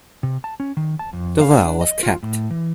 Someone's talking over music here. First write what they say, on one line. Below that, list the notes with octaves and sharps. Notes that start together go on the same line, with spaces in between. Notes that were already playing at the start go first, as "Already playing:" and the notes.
The well was capped.
C3
A5
C#4
D#3
A5
F2
F5
D4
D#5
F4
A2
E3